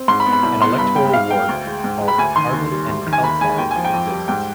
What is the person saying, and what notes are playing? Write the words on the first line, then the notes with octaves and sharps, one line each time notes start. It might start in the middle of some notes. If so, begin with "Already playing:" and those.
An electoral ward called Tarvin and Kelsall exists.
Already playing: C4
G#2 C6
B5
B3
B5
C2 B5
B3 C6
G2 B5
G#3 G5
G#2 F5
G#3 G5
D2
G#3
G#2
G#3
B5
D2 G#5
D#3 C6
D#2
G3
D2
D#3
G#5
D#2 B5
G#3 G#5
D#2 G5
F3 G#5
G5
F2
G3
G#2 G5